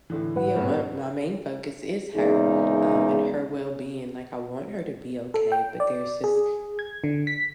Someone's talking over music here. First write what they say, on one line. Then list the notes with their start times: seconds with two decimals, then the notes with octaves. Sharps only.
Yeah, my my main focus is her, um, and her well-being, like, I want her to be okay, but there's this
0.10 A2 D3 E3
0.35 G#2 B4 F#5
0.56 G2 B2 C#4
2.15 E2 A#2 C#3 G#3 D#4 G#4
5.34 A4
5.52 G5
5.80 D5
6.24 G#4
6.79 G#6
7.04 D3
7.27 B6